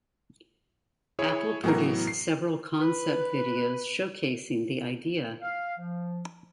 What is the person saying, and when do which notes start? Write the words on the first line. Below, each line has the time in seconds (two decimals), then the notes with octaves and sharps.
Apple produced several concept videos showcasing the idea.
1.19 E4 G#4 C#5
1.64 A2 E3 F#3 B3 A#4
2.07 C7
2.81 B4
5.42 F5
5.78 F3